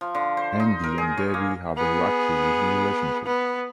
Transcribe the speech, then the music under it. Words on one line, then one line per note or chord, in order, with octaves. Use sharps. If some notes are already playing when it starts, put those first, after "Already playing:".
Andy and Debbie have a rocky relationship.
F3
D3
C5
D#4
A#4
G#4
C#5
A#3
B3 G#4
B3